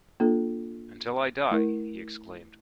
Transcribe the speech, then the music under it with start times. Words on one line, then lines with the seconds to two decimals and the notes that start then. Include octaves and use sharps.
Until I die, he exclaimed.
0.20 A#3 D4 F4 A4
1.51 A3 E4 A#4